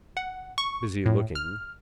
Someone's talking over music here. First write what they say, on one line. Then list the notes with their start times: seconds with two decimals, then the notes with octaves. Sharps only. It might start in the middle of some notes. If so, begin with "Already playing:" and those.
Busy looking.
0.17 F#5
0.58 C#6
1.06 A2
1.35 F6